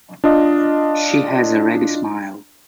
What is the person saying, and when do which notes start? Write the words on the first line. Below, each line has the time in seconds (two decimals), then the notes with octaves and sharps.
She has a ready smile.
0.24 D4 F4 D#5